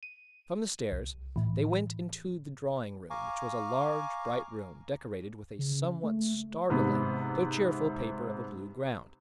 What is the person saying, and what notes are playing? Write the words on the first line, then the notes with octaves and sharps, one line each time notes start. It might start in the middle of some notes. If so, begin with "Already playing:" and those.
From the stairs, they went into the drawing-room, which was a large, bright room, decorated with a somewhat startling though cheerful paper of a blue ground.
D#7
C2
A2 E3
F5 G#5 A#5 C#6 D6
C#3
A3
G#2 C3 B3